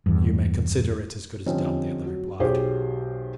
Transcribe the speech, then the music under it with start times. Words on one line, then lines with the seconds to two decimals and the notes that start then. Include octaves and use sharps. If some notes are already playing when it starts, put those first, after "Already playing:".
"You may consider it as good as done," the other replied.
0.06 E2 G2
1.46 D3 F3 G3 C4 C#4 D#4
2.06 F#3
2.40 B1 F#3 G4 G#4 C5 C#5